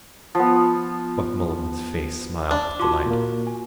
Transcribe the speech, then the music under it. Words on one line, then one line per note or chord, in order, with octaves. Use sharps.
Buck Mulligan's face smiled with delight.
F3 B3
D4 A5
F4 F#4 A5 C6 D6
A#2 A#3
G#5